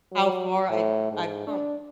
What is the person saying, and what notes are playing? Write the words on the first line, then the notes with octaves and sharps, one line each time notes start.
how far I've I've come.
F#3
A2
G#2
D4